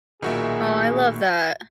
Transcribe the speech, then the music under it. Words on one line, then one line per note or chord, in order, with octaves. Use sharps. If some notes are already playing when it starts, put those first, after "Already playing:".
Oh, I love that.
B1 A#2 D#3 F#4 G#4 E5